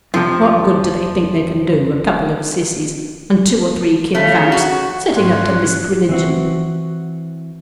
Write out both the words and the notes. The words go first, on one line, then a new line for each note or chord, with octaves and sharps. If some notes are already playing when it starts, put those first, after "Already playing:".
What good do they think they can do, a couple of sissies, and two or three kid vamps, setting up to lisp religion?
F2 C3 F3
C#3 A3
F#4
G#2 F3 G3 C#4 C6 F#6
E3 C4 F#4